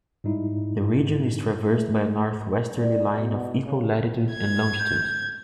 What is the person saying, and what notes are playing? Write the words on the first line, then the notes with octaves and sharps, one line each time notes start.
The region is traversed by a northwesterly line of equal latitude and longitude.
G#2 G3 D#4 E4
A3
D5
B2
C#3
G#6
G6